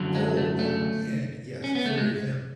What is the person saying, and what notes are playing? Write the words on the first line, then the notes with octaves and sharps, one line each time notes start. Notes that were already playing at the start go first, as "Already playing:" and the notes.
Oh, oh, the end, yes. So with him,
Already playing: F#2 D3 F#3
G#3
A3
A3
C#4
B3
A3
G#3